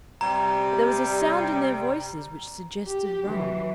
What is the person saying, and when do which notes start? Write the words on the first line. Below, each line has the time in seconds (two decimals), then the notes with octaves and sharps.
But there was a sound in their voices which suggested rum.
0.21 C3 G3 A#5
2.87 G4
3.28 E3 F#3